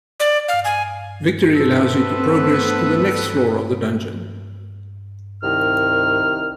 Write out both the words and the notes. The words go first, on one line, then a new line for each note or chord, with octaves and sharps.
Victory allows you to progress to the next floor of the dungeon.
D5
F5
G#5
A3 B3 C4 A4 B4
C2 D#3 F6